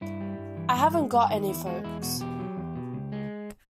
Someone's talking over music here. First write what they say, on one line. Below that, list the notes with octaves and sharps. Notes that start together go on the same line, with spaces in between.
I haven't got any folks.
G2 E4
G3
G2
E3
G2
G#3
G2
D#3
E2 E4
G#3 F#4
E2 E4
B2 F#4
E2 G4
F#3
E2
B2
C#2
G#3